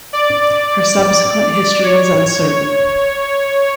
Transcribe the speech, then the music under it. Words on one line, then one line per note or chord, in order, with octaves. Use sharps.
Her subsequent history is uncertain.
D5
C#5